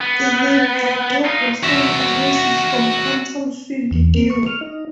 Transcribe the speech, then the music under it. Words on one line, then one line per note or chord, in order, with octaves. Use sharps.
The name "vector boson" arises from quantum field theory.
B3
D#4 F4
F#4 E5
E2
A#3
C#6
F6
D#4